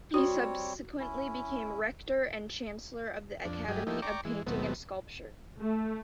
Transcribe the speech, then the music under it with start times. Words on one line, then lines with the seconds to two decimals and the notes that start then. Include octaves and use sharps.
He subsequently became rector and chancellor of the Academy of Painting and Sculpture.
0.14 G3 C4 F#4 C#5
0.99 C#4 E4
3.45 F2 D4
3.68 G2 F#3 G4 G#4 D#5
3.87 F3 A3 D#4 E4 G4
4.02 D5 G5 A#5 C#6 D6
4.25 E3 G#3
4.47 D#2 B2 F#3 A3 B3 C4
5.61 A3